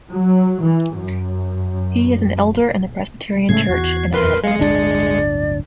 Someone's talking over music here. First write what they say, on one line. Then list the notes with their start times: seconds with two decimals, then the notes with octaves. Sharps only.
He is an elder in the Presbyterian Church in Ireland.
0.12 F#3
0.62 E3
0.97 F#2
3.49 A2 C#3 G#3 A3 G#6 C7
3.69 E2 F#4
4.13 F2 A#4 B4 C6
4.44 G#3 F5 C#7
4.59 D1 G1 D4 D5